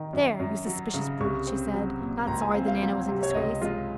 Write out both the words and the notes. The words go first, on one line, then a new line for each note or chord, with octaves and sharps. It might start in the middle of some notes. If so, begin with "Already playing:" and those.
"There, you suspicious brute," she said, not sorry that Nana was in disgrace.
Already playing: D#3
F#2
F#2
F#3
C#3
C2 C#6
C4
F#3
A#2
C#2 A#5
G#5
C4 F5
F5
F#3
C3
C#5
C#2 D#5
G#3 F4